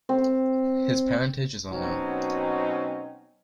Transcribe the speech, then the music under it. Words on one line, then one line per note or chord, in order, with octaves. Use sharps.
His parentage is unknown.
C4
B2 F#3 C4 C#4 D#4